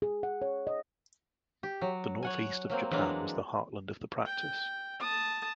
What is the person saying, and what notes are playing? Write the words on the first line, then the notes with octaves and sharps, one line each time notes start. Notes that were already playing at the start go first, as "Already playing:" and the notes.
The north east of Japan was the heartland of the practice.
G#4
F#5
C#5
D#5
G4
F#3
C#5 F#5 G#5
F#3 A#3 C4
E3 F#3 G#3 A#3 D4
G5
A5 D#6